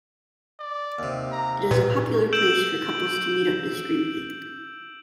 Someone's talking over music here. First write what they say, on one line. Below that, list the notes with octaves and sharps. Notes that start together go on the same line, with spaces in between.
It is a popular place for couples to meet up discreetly.
D5
D#2 C3
A#5
A#2 A#3 B4
E6 G6 D7 E7 F#7